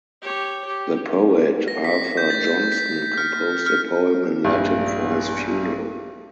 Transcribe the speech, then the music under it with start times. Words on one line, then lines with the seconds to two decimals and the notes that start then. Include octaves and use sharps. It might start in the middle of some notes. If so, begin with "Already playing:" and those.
The poet Arthur Johnston composed a poem in Latin for his funeral.
0.22 G4 C#5
0.67 G4
1.68 A#6
1.84 B6
2.17 G6
2.30 A6
2.72 B6
3.18 F6
3.66 F6
4.44 A#1 G2